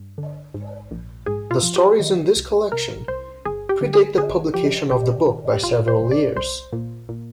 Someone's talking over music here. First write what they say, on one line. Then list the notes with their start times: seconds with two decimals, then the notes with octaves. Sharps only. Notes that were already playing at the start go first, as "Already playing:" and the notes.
The stories in this collection predate the publication of the book by several years.
Already playing: G2
0.18 D3
0.54 G#2
0.91 A#1
1.26 G#2 G#4
1.51 F4
1.63 F3
1.76 G4
2.00 D#3
2.36 C2
2.72 C3 A#4
3.08 C2 C5
3.45 G1 G#4
3.69 G4
3.81 D3
3.94 G#4
4.18 D3 G#4
4.54 F3 G4
4.90 G1 G4
5.27 D#3
5.53 G4
5.63 G1 F4
5.88 C5
6.00 G1
6.11 D5
6.36 C2 C5
6.73 A#2
7.09 A#2